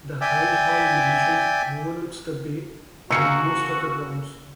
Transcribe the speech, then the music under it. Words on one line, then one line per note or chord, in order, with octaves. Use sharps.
The Hyde Hall mansion overlooks the bay and most of the grounds.
D5 E5 G5 G#5
C#3 A#3 F#4 A#5 E6 C#7